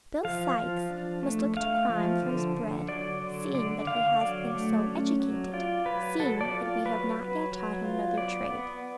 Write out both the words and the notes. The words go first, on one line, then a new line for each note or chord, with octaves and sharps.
Bill Sykes must look to crime for his bread, seeing that he has been so educated, seeing that we have not yet taught him another trade.
F3 F5
F3
D4
A3
A3 F5
F3
D3
D3
F#3 D5
D3
D3 D5
D3 F5
F#3 D5
A3
C#4
F#3
F4 D5
F#3 B4
F#3 A4
D5
F4
F#3 B4
F#3
F#3
F4
B3 D5
B3